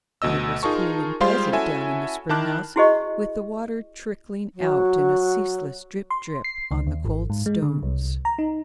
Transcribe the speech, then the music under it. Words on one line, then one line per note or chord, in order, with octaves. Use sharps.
But it was cool and pleasant down in the spring-house with the water trickling out in a ceaseless drip-drip on the cold stones.
D2 B2 D#5 E6
D#4 F4 G#4 A#4 A5 C#6
G3 G#3 F4 C5 F5 C6
C#4 E4 F#4 A4 E5 G#5
D#3 E4 A#4 A5 D6 F#6
E4 F#4 G#4 C5 D#5 C#6
F#3
C6
C7
C#2
D#2
G#1
G#2
G#3
D3
C2
A#5
D#4